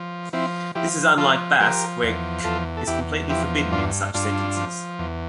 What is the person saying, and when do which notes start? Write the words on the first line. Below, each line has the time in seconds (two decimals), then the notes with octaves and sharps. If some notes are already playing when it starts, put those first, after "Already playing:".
This is unlike Basque, where "-k" is completely forbidden in such sentences.
Already playing: F3
0.33 F3 C4 E4
0.75 F3 E4 G4
1.17 F3 F4 A4
1.60 F3 G4 A#4
2.03 E2
2.44 E2 F4 A4
2.77 A4
2.87 E2 E4 G4
3.29 F3 E4 G4
3.71 G2 D4 F4
4.14 G2 D4 F4
4.57 F3
4.99 E2